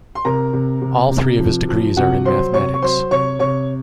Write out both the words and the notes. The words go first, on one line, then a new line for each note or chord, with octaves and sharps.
All three of his degrees are in mathematics.
C6
C3 A#4 A#5
C3
C3
C3
F3
F3
C3 F#4 F#5
F#3 C5 C6
C3 C#5 C#6
C#6
F#3 C5 C6
C3 C#5 C#6
C3 C#5 C#6